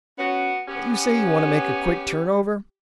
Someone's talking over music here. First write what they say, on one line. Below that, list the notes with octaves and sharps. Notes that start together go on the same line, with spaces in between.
But you say you want to make a quick turn-over?
B3 C#4 F#4
B3 C#4 G4